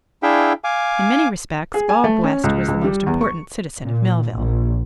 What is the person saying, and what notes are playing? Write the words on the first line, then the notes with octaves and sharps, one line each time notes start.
In many respects Bob West was the most important citizen of Millville.
D4 E4 G#4 E5 F5 G5
F5 G#5 D6
G#4
G#5
A3
C#4
C#2
C#2
G3
E2
C#6
A#2
A#1